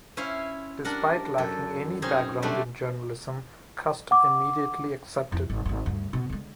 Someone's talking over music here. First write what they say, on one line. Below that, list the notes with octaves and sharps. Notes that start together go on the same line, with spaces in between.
Despite lacking any background in journalism, Cust immediately accepted.
C#4 E4 C5 C#5 F5
G3 D4 A#4 F#5
F#2 A4
C4 C#4 D#4 G#4
F#3 G3 A3 D4
F#5 D6
F2 E4
G#1
D#1 G#1
D2 G2
B2
D3 G#3